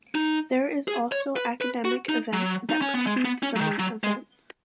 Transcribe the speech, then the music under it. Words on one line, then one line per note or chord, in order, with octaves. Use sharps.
There is also academic event that precedes the main event.
D#4
G#4
C#5
B4
B4
F#4
D#4
F#3
D#4
C#4
B3
G#3
B3
C#4
F#3
D#3
F#3
G#3